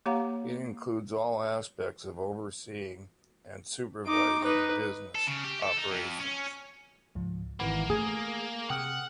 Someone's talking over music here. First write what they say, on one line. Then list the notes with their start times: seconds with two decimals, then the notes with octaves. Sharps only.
It includes all aspects of overseeing and supervising business operations.
0.06 A#3 G4 C#5 F5 F#5 A#5
4.06 D#4 D6
4.43 D#4 B4
5.15 A4
5.27 C#3
5.44 G4
5.63 A4
5.77 D#4
5.91 F2
6.19 C#4
7.15 C#2 G#2 F3
7.60 G#1 E3 A#3 F#5 B5
7.90 A3 G#4 D#6 G#6
8.70 C3 F#5 G5 D#6 F6